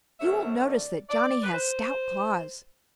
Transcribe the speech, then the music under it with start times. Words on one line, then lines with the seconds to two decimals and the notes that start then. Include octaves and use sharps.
You will notice that Johnny has stout claws.
0.19 F#2 D3 F#3 A3 C4 E5
0.64 D5
1.09 D5
1.44 B4
1.54 C5